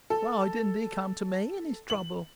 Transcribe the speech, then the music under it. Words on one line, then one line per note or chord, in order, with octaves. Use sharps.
"Why didn't he come to me in his trouble?"
A4
F#7